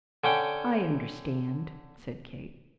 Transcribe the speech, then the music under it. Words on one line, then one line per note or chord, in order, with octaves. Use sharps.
"I understand," said Kate.
D3 C#4 G5